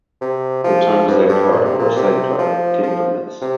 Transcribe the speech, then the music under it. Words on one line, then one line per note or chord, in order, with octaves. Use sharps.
The terms Zed Card or Sed Card came from this.
C3
F3
G2
F2
G2
A#2
C3
A#2
C3
F3
F3
C3